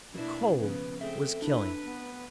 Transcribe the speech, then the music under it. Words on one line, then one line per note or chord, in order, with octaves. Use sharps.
The cold was killing.
B2 A#3 D4 E4
C#3 F3 B3 B4
A3 C4 G#4 E5
D4 E4 B4
B3